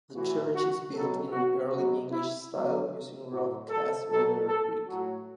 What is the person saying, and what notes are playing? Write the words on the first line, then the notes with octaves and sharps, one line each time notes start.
The church is built in an Early English style using roughcast rendered brick.
A2 E3 F#4
F#4
B2 F#3 A4
F#4
B2 F#3 F#4
E4
B2 F#3
A2 F#3 F#4
A4
B2 F#3 A4
A4
A2 F#3 F#4